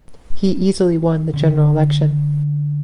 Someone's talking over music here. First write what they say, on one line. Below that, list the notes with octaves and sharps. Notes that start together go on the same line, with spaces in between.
He easily won the general election.
D3 C#4